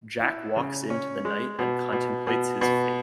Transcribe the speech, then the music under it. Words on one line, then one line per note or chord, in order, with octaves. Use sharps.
Jack walks into the night and contemplates his fate.
E4
C#3
C#4
G#3
B2
B2
B2
B2